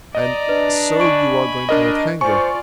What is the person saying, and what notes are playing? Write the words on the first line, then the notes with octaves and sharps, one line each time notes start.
And so you are going to Northanger!
D5 D#5 A#5
D4 B4
G#5 B5 C#6 D7
D4 A#4 D#5
F4 C5 D5 G#5 C#6